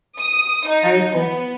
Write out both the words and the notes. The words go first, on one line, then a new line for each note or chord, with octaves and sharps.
Very cool.
D#6
D#4
B3